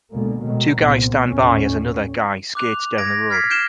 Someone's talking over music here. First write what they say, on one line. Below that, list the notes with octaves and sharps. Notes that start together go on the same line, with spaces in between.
Two guys stand by as another guy skates down the road.
C#2 B2 D3 G#3 A#3
B2 D#3 F#3 G#3 A3
C2 A#2 B3 C4
D#2 A2 D3 C#4
D6 F#6 F7
G#6 A#6 D7
F6 G#6 B6 C7 D7
F6 G6 C7 D7 E7 G7